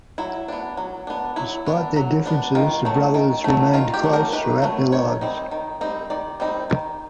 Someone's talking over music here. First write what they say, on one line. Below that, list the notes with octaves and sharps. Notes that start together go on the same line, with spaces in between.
Despite their differences, the brothers remained close throughout their lives.
F#3 E4
B3 D4
F#3
B3 D4
F#3 E4
B3 D4
F#3
B3 D4
D#3 F4
F#3 A3
D#3
F#3 A3
D#3 F4
G4
F#3 A3
A#4
D#3 B4
F#3 A3
D#3 C#5
G3 C4 D#4
D#3
G3 C4 D#4
D#3 D5
G3 C4 D#4
D#3